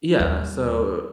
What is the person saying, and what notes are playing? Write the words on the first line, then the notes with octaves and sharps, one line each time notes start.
Yeah, so
D#2 G3